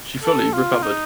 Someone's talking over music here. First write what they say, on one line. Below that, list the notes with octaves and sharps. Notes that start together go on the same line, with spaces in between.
She fully recovered.
A4
F4
D#4